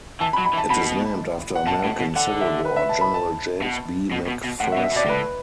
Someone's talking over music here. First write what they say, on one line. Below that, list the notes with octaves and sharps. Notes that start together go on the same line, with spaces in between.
It is named after American Civil War General James B. McPherson.
E3 A5
B5
F#3
B5
E3
A5
B2 B5
F#5
B2 A5
A2
B2
D3 F#5
E5
B4
E5
A5
B5
A5
B2
B2
B2
B2
A2 F#5
E5
B2
E5
B2 D5
A2 B4